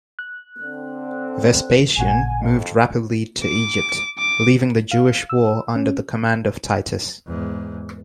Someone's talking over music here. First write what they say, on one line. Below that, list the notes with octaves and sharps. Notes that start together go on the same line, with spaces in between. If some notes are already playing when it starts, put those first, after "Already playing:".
Vespasian moved rapidly to Egypt, leaving the Jewish war under the command of Titus.
F#6
D3 C4
A1 A#2 F#5 G#5
F2
D6
D6
F5
E6
C#4
E2 G#2